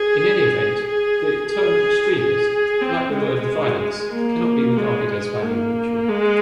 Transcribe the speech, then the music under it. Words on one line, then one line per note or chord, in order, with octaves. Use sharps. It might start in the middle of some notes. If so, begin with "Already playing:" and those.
In any event, the term extremist-like the word violence-cannot be regarded as value-neutral.
Already playing: G#4
G#4
G#4
G#4
C4
G#3
A#3
G#3
G#3
A#3
G#3